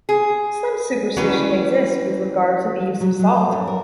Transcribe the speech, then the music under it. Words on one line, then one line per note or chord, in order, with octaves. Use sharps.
Some superstition exists with regard to the use of salt.
G#4
E3 F#3 G3 A#3 C#4 B4
F#3
F#3
C5
F#2
A#4